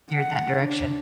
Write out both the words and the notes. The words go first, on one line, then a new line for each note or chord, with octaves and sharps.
You're that direction.
F#5
D4